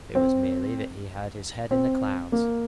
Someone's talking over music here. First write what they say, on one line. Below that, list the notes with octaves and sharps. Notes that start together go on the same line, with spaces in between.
It was merely that he had his head in the clouds.
C4
C4
A#3